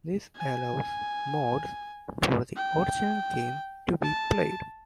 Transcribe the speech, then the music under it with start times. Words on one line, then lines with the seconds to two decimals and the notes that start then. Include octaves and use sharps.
This allows mods for the original game to be played.
0.36 G#5
2.56 G5
4.03 A5